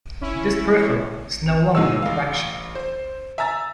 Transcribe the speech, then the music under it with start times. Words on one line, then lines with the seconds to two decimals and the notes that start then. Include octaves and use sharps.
This peripheral is no longer in production.
0.21 C#4 E4
1.46 E7 F7
1.75 D2 G#2 E3 G#3 D#4 E6
2.02 A1 F5
2.75 C5
3.38 E5 G#5 A#5 E6 A6